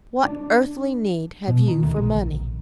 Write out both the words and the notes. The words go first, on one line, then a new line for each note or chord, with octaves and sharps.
What earthly need have you for money?'
D4
B2
D#3
D2
A#1